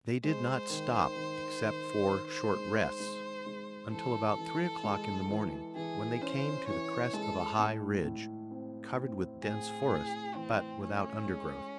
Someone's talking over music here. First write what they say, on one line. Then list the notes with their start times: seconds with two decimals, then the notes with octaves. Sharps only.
They did not stop, except for short rests, until about three o'clock in the morning, when they came to the crest of a high ridge, covered with dense forest, but without undergrowth.
0.24 G#3 C5
0.70 D#3
1.16 D#3
1.62 D#3
2.08 D#3
2.54 G#3
3.00 G#3
3.46 G#3
3.91 E3 A4
4.38 E3
4.84 G#3
5.29 E3
5.75 E3 G#4
6.21 C#4 C5
6.67 E3 C#5
7.13 G#3 A4
7.59 A2
8.05 A2
8.51 C4
8.97 C4
9.43 A2 G#4
9.89 A2
10.35 E3 C4
10.81 A3 C#4
11.27 G#3